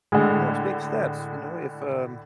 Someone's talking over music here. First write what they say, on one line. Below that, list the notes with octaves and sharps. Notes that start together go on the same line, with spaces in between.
No, it's big steps, you know? If, um
A2 D3 G#3